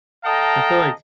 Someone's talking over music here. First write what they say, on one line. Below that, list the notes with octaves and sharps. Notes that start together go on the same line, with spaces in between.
I feel like
A4 D#5 F5 G5 A5 A#5